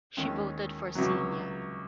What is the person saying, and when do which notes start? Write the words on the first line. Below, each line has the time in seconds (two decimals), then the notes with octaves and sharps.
She voted for Xenia.
0.17 D#2 D#3 G#3 C#4
0.95 C#2 C3 F#3